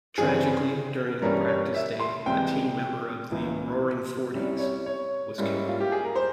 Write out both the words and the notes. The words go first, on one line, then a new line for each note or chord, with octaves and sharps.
Tragically during a practice day a team member of the "Roaring Forties" was killed.
G2 E3 G3 C4 G#4
G2 E3 G3 A#3 C#4 A#4
C#5
E5
C6
C2 C3 E3 G#3 G5
C#2 C#3 E3
C2 C3 G3 C#4 E4
C#5
C#5
G#2 G3 A#3 C#4 E4
F4
G4
G#4
A#4
C5